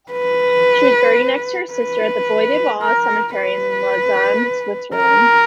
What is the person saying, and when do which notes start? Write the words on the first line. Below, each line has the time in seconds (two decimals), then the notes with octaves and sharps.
She was buried next to her sister at the Bois-de-Vaux cemetery in Lausanne, Switzerland.
0.12 B4
1.74 B4
2.82 A#4
3.36 B4
4.97 A#4